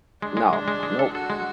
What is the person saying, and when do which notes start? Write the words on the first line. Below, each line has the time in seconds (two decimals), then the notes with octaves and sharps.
No, nope.
0.22 G#3 D4
0.37 G#3
0.53 G#3 D4
0.68 G#3
0.83 G#3
0.99 A4
1.14 F#4 A4
1.30 G#3